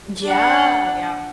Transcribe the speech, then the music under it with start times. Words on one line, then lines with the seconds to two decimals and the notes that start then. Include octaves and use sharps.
Yeah, yeah.
0.24 D4 F#5